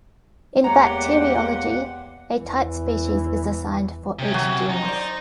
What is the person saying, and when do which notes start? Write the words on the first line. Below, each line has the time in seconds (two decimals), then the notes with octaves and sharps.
In bacteriology, a type species is assigned for each genus.
0.64 E2 G#3 A#3 G4 C#5 F#5 A#5
2.36 E2 E3
4.19 C3 C#4
4.34 F#3
4.70 D#4
4.85 C5 D5